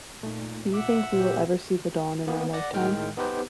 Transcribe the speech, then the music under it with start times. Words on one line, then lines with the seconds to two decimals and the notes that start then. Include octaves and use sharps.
Do you think we will ever see the dawn in our lifetime?
0.23 A#2 A3 D#4
0.74 E5 F#5 D6
1.13 A#2 G4 C5
2.27 D#3 A#3 B3
2.53 D5 F#5 A#6
2.73 A2 D#3 G#3 G5 F6
3.17 B3 D#4 G4 B4 C5